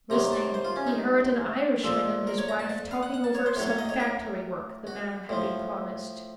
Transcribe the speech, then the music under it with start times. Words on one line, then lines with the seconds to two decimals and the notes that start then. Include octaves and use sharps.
Listening, he heard an Irishman and his wife talking over some factory work the man had been promised.
0.10 C3 D#3 F#3 A#5
0.32 A5
0.54 C5
0.65 F4
0.76 C#4
0.87 D#4
1.83 A#2 F3 A4
2.27 A#4
2.38 C#5
2.49 A#5
2.59 A5
2.70 A5
2.91 F5
3.03 F#5
3.14 F#5
3.24 A5
3.35 C#5
3.46 C5
3.56 A2 F#3 C#5
3.67 C#5
3.78 D#5
3.89 C#5
4.00 A#4
4.87 F#4
5.29 A2 F3